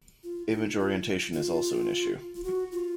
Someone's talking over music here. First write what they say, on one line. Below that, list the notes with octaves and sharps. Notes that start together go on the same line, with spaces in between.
Image orientation is also an issue.
F4
D#4
F4
F4
F4
F#4
F4